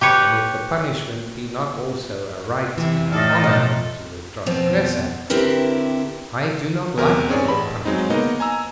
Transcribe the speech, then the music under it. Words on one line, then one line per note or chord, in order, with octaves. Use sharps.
And if the punishment be not also a right and an honour to the transgressor, I do not like your punishing.
G4 B4 C#5
C3 E3
A2 D#4 A4 D5 F6
B2 F3 D#5 A6
F2 B2 B3 C4
D3 C4 E4 G4 A#4 B4
E2 C3 A#4
C4 C#4 G#4 C#5 D5
A1 B5
F#3 G#3 C4 D#4
A#3 B3 D#4 D#5
G#5 A#5 E6